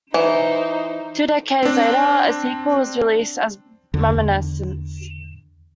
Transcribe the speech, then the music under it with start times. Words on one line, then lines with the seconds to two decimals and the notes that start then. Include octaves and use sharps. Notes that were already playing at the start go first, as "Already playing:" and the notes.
Two decades later, a sequel was released as "Reminiscence".
0.14 E3 D#4 C5
1.63 C4 D4
3.94 E2 D3